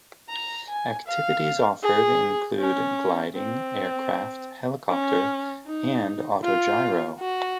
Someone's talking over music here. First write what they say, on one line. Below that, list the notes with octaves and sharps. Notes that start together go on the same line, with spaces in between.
Activities offered include gliding, aircraft, helicopter, and Autogyro.
A#5
G#5
F5
G#4
C#4
C4
C#4
D#4
F4
F#4